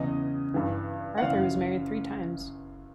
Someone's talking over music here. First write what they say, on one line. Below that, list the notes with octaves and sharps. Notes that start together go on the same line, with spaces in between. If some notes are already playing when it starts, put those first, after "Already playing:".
Arthur was married three times.
Already playing: E2 C#3 E3 D#5
G2 E3
F#5
F#2 C#3 E3 F5